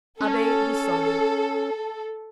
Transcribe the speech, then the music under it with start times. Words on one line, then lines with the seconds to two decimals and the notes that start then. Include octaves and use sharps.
"Abbe Busoni."
0.21 C#4 A4